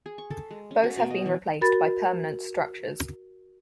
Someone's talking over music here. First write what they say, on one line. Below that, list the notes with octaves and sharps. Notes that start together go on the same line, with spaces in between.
Both have been replaced by permanent structures.
G#4
C#6
A4
G#3
C#4
F#4
B2
D#5
E3
F#4 A#4 B5 A6